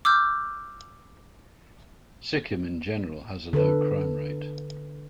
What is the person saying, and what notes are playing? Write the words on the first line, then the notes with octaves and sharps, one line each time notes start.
Sikkim in general has a low crime rate.
D6 E6 F6 G6
D3 A4 B4